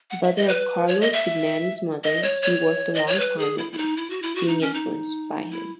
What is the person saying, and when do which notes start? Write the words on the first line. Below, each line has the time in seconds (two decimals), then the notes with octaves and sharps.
Brother of Carlo Cignani’s mother, he worked a long time with him, being influenced by him.
0.10 F#5
0.23 E5
0.36 D#5
0.48 B4
0.88 C#5
1.01 D#5
1.13 E5
2.04 D#5
2.23 C#5
2.42 C#5
2.95 D#5
3.07 C#5
3.20 B4
3.38 G#4
3.58 E4
3.72 E4
3.78 D#4
3.97 E4
4.10 F#4
4.22 E4
4.35 F#4
4.48 D#4
4.61 C#4
4.74 D#4
5.51 E4